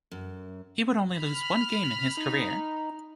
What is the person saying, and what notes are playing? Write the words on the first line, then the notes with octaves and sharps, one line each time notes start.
He would only lose one game in his career.
F#2
B5 F6
D#4